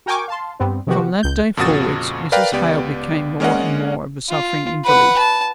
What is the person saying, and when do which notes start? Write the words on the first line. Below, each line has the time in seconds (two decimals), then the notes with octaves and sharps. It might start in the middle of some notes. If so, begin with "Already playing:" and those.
From that day forwards Mrs. Hale became more and more of a suffering invalid.
0.06 F#4 A#4 G5 G#5 C#6 D6
0.28 F5 A5 C6
0.60 G2 G3 B3 C4
0.87 C3 D#3 F3 B3 F#4 G4
1.23 C#2 G6
1.57 F2 A#2 C#3 F#4 D#6 A6
2.32 A#4 B4 D5 F5 G5
2.52 C#2 B3 G4 D5
3.40 G#3 A#3 C#4 D5 D#5 F#5
4.30 F4
4.85 B4 F#5
5.18 A5